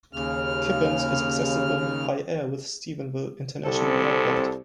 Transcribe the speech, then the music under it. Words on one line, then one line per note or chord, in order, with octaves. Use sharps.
Kippens is accessible by air with Stephenville International Airport.
D#2 C#3 F6
C2 C4 A4